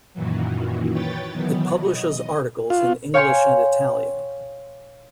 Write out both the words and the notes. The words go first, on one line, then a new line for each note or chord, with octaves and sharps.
It publishes articles in English and Italian.
F#2 A#2 D#3 E3 F#3
B4 C#5 G5 A6
B2 D#3 E3 F#3 B3
D#5
F4
C#5 F5 G5 G#5 C6 C#6